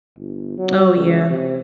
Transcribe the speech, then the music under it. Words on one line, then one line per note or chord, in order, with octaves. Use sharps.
Oh, yeah.
G1
F#3
C#2
C3